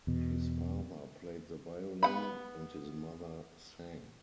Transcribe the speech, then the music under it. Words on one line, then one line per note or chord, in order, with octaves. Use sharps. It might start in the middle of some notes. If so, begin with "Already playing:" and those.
His father played the violin, and his mother sang.
E2 B2
B3 F#5 B5